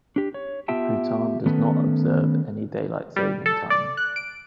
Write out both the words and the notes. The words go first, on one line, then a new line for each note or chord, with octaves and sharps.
Bhutan does not observe any Daylight saving time.
D4 G4
C#5
B3 F4 G4 E5 G5 A5
D#3 A3 B3 C#4 A4 B4
G3
A4
D5
F#6
D7